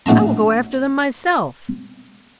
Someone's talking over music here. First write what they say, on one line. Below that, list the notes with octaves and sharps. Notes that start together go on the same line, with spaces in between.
'I will go after them myself.
A#1 A2 F#4 A5 A#5